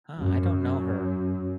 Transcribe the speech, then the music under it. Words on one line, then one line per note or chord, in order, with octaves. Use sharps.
Uh, I don't know her.
F#2